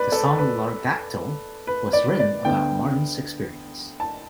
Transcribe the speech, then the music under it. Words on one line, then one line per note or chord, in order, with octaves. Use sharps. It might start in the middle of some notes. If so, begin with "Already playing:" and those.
The song "Largactyl" was written about Martin's experience.
Already playing: B4 D5
A4
B4
B4
D5
D5
D2 D3 B3 G5
A5